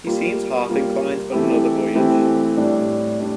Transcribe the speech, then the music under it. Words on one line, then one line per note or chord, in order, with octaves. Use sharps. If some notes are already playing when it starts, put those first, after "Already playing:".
He seems half inclined for another voyage.
G3 A#3 F4
G3 A#3 F4
E3 A3 C4 E4 G4
E3 A3 C4 E4 G4
A2 G3 D4
G3 D4